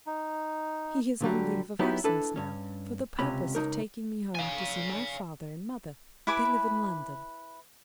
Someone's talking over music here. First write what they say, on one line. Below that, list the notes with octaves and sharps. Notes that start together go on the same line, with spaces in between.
He is on leave of absence now for the purpose of taking me home to see my father and mother--they live in London.
D#4
A#2 D3 F#3 G3
F#3 B3 D#4 E4 F#4 G4
D4 E4 A4 B4
G2 C#4
C#2 C3 C#4 B5
C#2 D#3 D#4 A#4
F5 G#5
E4 B4 G#5 D6